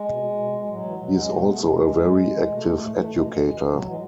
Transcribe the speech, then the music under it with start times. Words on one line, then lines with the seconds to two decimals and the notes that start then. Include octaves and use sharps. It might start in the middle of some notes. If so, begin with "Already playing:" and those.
He is also a very active educator.
Already playing: G#3
0.09 B2
0.39 B2
0.58 G#3
0.69 A2 F#3
0.84 E3
0.99 B2 F#3
1.14 G#3
1.29 B2 A3
1.40 B3
1.49 A3
1.59 B2 G#3
1.75 G#3
1.89 B2
2.20 A2
2.35 E3
2.49 B2 A3
2.80 A2 A3
2.94 E3 A3
3.10 B2 G#3
3.26 G#3
3.40 A2 G#3
3.55 E3
3.71 A2 F#3
3.85 E3 G#3